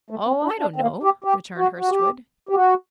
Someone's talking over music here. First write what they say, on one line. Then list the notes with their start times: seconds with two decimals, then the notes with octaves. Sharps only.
"Oh, I don't know," returned Hurstwood.
0.10 A3
0.27 C4
0.43 D4
0.59 D4
0.76 C4
0.80 A#3
1.03 G4
1.24 G4
1.58 F#4
1.79 F#4
1.90 G4
2.49 G4
2.55 F#4